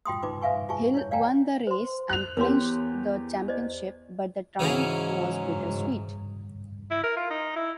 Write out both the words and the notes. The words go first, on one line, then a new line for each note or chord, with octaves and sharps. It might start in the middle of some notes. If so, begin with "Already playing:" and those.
Hill won the race and clinched the championship but the triumph was bittersweet.
F4 G5 C6 D#6
D#4 F4 B4 D6
B4 E5 F5 G#5 C#6
F4 G#4 G#5 A5 C#6
E4 C#5
D5 F5 G5 G#5 A#5
C5 C6
F#6 F7
E2 G4 A#4 C#5 C6
C5 D5 D#5
G#2 C#3 E3 F#3 C#4
E4
A#4
F4
D#4
E4